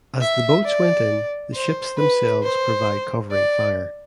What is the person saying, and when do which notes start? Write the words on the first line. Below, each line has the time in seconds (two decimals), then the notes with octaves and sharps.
As the boats went in the ships themselves provide covering fire.
0.21 E5
0.65 D5
1.54 C5
1.98 B4
2.43 C5
3.32 D5